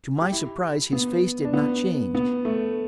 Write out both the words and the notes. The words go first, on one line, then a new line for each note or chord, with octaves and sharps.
To my surprise his face did not change.
G4
E4
B3
D4
B3
B3
A3